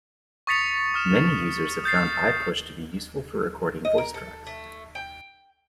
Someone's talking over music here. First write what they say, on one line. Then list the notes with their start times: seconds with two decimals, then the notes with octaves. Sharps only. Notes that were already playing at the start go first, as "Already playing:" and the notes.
Many users have found iPush to be useful for recording voicetracks.
0.47 C#6 D#6 A6 B6 C#7 F7
0.94 D#6 F6 E7
1.84 D#6 G6 A6 C7
3.85 D#5
3.98 A#4
4.14 A4
4.47 A3
4.95 G5